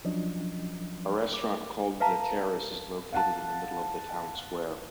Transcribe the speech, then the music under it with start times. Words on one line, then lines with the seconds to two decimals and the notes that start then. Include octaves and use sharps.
A restaurant called The Terrace is located in the middle of the town square.
0.05 F3 F#3 C#4 D4 D#5
1.34 D6
2.00 B4 E5 F5 A5 A#5
3.12 F5 F#5 A5